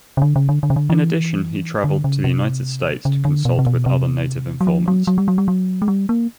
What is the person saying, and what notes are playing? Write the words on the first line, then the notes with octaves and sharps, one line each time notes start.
In addition he traveled to the United States to consult with other native informants.
C#3
D3
C#3
D3
D3
C#3
D3
E3
D3
C#3
C3
C#3
D3
B2
C3
B2
C3
F#3
F3
F#3
F#3
G3
F#3
G3
F#3
G#3
G3
A#3